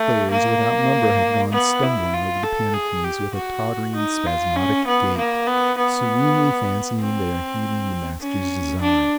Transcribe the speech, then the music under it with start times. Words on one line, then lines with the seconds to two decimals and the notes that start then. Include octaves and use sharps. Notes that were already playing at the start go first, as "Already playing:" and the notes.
Players without number have gone stumbling over the piano keys with a tottering, spasmodic gait, serenely fancying they are heeding the master's design.
Already playing: A3
0.31 A#3
1.52 B3
1.83 E4
2.13 F4
2.44 A4
2.74 G#4
3.04 G4
3.35 F#4
3.96 D#4
4.26 F4
4.56 C#4
4.87 B3
5.18 A#3
5.47 B3
5.78 B3
7.00 C4
8.21 C#4
8.81 D4